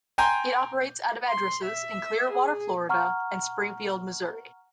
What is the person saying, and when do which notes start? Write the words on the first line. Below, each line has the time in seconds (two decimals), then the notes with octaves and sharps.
It operates out of addresses in Clearwater, Florida, and Springfield, Missouri.
0.18 G5 G#5 A#5 C6 G6
1.28 C6
1.65 E5
2.30 G#4
2.89 F#5 A#5 C#6 F6